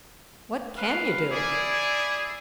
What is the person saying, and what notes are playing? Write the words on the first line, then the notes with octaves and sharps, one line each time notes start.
"What can you do?"
B4 F5
E4 G#4 D5